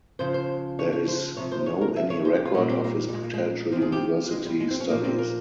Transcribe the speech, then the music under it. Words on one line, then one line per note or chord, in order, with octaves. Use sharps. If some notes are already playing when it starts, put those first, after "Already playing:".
There is no any record of his potential university studies.
C#3 F3 C5
C5
C#5
C#5
C5
C3 F3 C#5
C5
C#5
A#4
E5
C#5
C5
G4
F4
A#2 G3 C#4
C4
A#3
G3
G#3
A#3
G#3
C3 F3 C4
G#4
G4
G#3
G3
G#3
C4
C#4
A#2 F3 A#3
C4
A#4